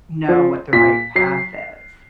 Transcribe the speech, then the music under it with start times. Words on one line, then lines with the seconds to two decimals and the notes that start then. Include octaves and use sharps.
know what the right path is?
0.29 F3
0.73 A#2 B6
1.15 F#3 C7